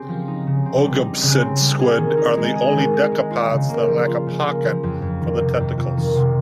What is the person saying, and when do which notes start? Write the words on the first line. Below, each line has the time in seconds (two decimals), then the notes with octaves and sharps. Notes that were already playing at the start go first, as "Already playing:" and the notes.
Oegopsid squid are the only decapods that lack a pocket for the tentacles.
Already playing: C#3 C4 G4
0.08 F3
0.28 D#4
0.47 C#3
0.66 C4
0.84 G3
1.04 D#4
1.23 C#3
1.42 C4
1.61 G3
1.80 G#4
1.98 D#3
2.17 D#4
2.37 G#3
2.56 G#4
2.74 D#3
2.93 D#4
3.12 G#3
3.31 F4
3.51 C#3
3.69 A#3
3.88 F3
4.08 F4
4.27 C#3
4.45 A#3
4.64 F3
4.83 F2
5.02 F2
5.21 D#3
5.40 C3
5.60 F2
5.78 F2
5.97 D#3
6.16 C3